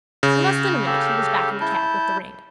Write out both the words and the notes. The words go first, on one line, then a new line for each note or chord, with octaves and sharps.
In less than a minute he was back in the cab with the ring.
C#3
G4 A4 F5
E4 A5 G6